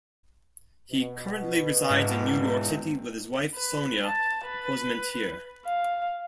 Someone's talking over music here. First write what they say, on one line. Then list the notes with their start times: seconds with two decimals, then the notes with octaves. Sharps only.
He currently resides in New York City with his wife Sonya Posmentier.
0.92 B2
1.90 E2 G#2 G#3
3.55 B4
4.04 A5
4.45 B4
5.65 F5